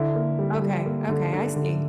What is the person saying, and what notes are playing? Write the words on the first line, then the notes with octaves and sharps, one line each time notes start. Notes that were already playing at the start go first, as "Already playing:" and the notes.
Okay. Okay, I see.
Already playing: D3 E4
A#3
G3
G3
A#3
D3
D3
D3